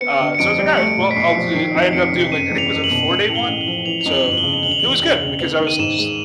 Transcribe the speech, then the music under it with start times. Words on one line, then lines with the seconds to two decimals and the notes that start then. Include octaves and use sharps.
Uh, so I was like, "Alright, well, I'll do" I ended up doing, like, think it was, like, a four-day one. So, eh, it was good because I was just
0.01 B3 C#7
0.20 D3
0.35 C#7
0.39 F2 D7
0.59 G3
0.78 A3 C#7
0.97 A#2
1.11 B6
1.16 B1 C7
1.36 F3 C#7
1.55 D#3 C7
1.74 F2
1.93 F1 C#7
2.13 C3
2.32 F#1 D#7
2.51 E2
2.58 F7
2.71 F#1
2.84 F#7
2.90 B2
3.09 A1 F#7
3.28 A2
3.35 G7
3.48 A1
3.61 F#7
3.67 F3
3.86 E3 F7
4.01 F2 F7
4.11 F#7
4.25 G1
4.32 F#7
4.37 G7
4.43 C#3
4.63 E1 F#7
4.72 F7
4.80 E2 F#7
5.02 E1
5.21 C#3
5.40 B3 F7
5.60 D#3
5.67 D#7
5.79 G#2 E7
5.98 G#3